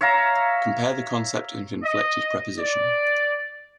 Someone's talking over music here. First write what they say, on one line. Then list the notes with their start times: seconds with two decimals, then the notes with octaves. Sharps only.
Compare the concept of inflected preposition.
0.01 C#5 E5 F5 A#5
1.82 D#5
2.58 D5